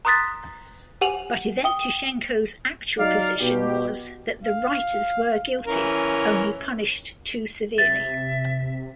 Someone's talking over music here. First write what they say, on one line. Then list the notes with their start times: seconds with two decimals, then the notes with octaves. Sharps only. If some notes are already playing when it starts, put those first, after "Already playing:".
But Yevtushenko's actual position was that the writers were guilty, only punished too severely.
0.05 A#5 C6 D#6 F#6 A6 B6
1.01 G4 F#5 G#5 D#7 F7 F#7
1.64 G5 D#6 G7
2.98 F#3 D#4 D5 F5
3.41 B2 G4
4.44 F5
5.67 E3 C#4 A#4
7.78 C3 E5 A6